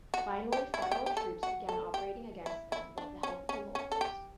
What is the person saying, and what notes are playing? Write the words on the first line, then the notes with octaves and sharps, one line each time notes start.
Finally Federal troops began operating against them with the help of the locals.
F#4
G4
E4
F#4
G4
G4
A4
F#4
A4
G4
E4
E4
D4
C#4
C#4
C#4
A4
G4